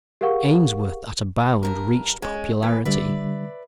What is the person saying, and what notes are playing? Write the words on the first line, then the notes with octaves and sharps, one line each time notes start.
Ainsworth at a bound reached popularity.
G4 G#4 A#4 F5 F#5 C#6
G2 A#2 A#4
G#3 C#4
E3 A#3 B4
D3 G3 B4 D5 E5